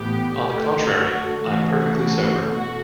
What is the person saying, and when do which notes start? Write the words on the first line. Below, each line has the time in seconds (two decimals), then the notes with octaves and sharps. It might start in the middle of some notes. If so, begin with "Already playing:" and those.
On the contrary, I'm perfectly sober.
Already playing: A2 E3 B3 G4
0.33 D3 A3 G4
0.88 F#4
1.41 C#3 E3 A3 F#4
2.49 B2 A3 F#4